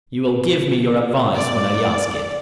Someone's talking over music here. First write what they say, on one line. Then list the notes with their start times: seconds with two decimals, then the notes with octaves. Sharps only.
You will give me your advice when I ask it.
1.36 D5